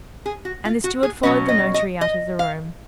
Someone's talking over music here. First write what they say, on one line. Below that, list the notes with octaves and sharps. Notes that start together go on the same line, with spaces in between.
And the steward followed the notary out of the room.
G#4
F#4
F4
F#4
G#4
B2 F#3 C#4 D#5
D#5
D#5
D#5
F5